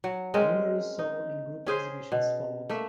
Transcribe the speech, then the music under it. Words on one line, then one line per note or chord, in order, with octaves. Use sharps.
Numerous solo and group exhibitions followed.
F#3
G#3 C4 C#4 A#4
D#4
C#4 G#4 C5
B2
A3 A#3 E5